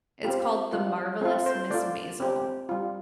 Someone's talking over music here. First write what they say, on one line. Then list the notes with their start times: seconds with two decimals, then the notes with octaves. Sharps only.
It's called The Marvelous Miss Maisel.
0.24 C4 F4 G4
0.73 G3 F4
1.21 C4 F4 A4
1.46 C5
1.70 A3 F4 D5
2.20 C4 G4
2.69 G3 F4